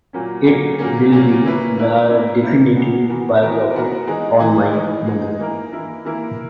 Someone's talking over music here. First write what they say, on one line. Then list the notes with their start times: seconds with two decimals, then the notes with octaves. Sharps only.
It will be the definitive biography on my mother.
0.13 A#2 F#3 A#3 C#4
0.45 A#2 F#3 A#3 C#4
0.79 A#2 F#3 A#3 C#4
1.12 A#2 F#3 A#3 C#4
1.44 A#3 C#4 E4 B4
1.77 A#3 C#4 E4 B4
2.10 A#3 C#4 E4 B4
2.43 A#3 C#4 E4 B4
2.76 E3 B3 F#4 A#4
3.09 E3 B3 F#4 A#4
3.42 E3 B3 F#4 A#4
3.74 E3 B3 F#4 A#4
4.07 E3 G#3 D#4 G#4
4.39 E3 G#3 D#4 G#4
4.73 E3 G#3 D#4 G#4
5.06 E3 G#3 D#4 G#4
5.38 E3 A#3 E4 A#4
5.72 E3 A#3 E4 A#4
6.05 E3 A#3 E4 A#4